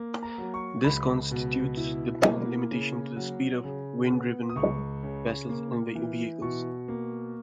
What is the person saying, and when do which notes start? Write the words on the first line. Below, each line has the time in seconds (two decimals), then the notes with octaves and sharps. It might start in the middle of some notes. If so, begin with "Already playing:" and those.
This constitutes the main limitation to the speed of wind-driven vessels and vehicles.
Already playing: A#3
0.23 A#5
0.38 F#3
0.54 C#6
0.84 C#2 B5
1.31 B2
1.77 E4
2.24 A#3
2.71 C#3
3.17 F#3
3.64 C#3
4.10 B3
4.49 D#6
4.56 C#2 C#6
5.03 C#3
5.49 A#3
5.95 E3
6.42 B2 C#6
6.88 A#3